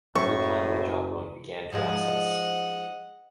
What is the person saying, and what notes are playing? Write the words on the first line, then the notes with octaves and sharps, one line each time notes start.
Over time, the jaw bone began to abscess.
F#1 F#2 A2 C#6
G#2 F3 G#3 D#5 F#5